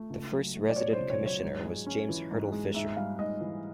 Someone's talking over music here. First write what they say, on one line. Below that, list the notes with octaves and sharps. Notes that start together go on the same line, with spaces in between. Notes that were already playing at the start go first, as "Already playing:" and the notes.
The first Resident Commissioner was James Hurtle Fisher.
Already playing: A3
C#2
F#3
A3
D5
B2 C#5
C5
C#2
C#5
F#3
C#5
G#2
G#3
C#4
E3
G#2
G#3
G#2 E5
G3 F5
G#2 D#5
E3